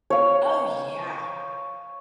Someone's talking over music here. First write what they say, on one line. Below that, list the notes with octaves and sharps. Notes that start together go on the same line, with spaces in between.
Oh, yeah.
C#5 F5